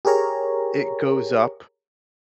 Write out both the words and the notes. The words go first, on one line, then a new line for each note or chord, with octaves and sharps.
It goes up
G4 G#4 A#4 C#5 A#5